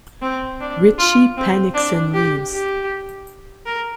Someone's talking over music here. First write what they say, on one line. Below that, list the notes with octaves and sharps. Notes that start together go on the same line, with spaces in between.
Ritchie panics and leaves.
C4
D4
F4
C4
D4
G4
G4
A#4